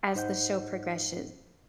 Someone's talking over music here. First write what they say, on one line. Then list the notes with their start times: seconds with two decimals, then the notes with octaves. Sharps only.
as the show progreshe
0.15 G#2 D#4 C5 D#5 F#5 G6